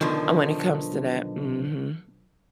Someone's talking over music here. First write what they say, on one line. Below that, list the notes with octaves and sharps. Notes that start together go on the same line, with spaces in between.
and when it comes to that, mhm.
B1 D3 D#3 F3